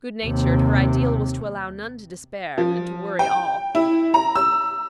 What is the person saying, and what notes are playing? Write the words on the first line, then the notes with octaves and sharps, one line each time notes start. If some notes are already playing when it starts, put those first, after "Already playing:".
Good-natured, her ideal was to allow none to despair, and to worry all.
D#2 C3
F3
G5
E4
A#5
E6